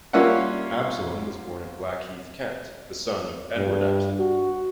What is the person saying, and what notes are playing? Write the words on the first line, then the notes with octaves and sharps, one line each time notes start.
Absolom was born at Blackheath, Kent, the son of Edward Absolom.
G3 A#3 C#4 F4 E5 F#5
G2
F#4